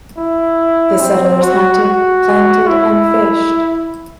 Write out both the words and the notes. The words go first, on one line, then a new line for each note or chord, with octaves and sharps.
The settlers hunted, planted and fished.
E4
C4
F#4
F#4
E4